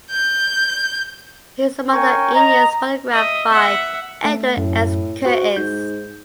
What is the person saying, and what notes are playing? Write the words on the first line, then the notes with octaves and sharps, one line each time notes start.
He was among the Indians photographed by Edward S. Curtis.
G6
C#4 A#4 G5 G#5 C#6
D#5 A#5
D#5 E5
E5 F#5
A3
F#2 A2
F#4 C5 F#5
G#2 G6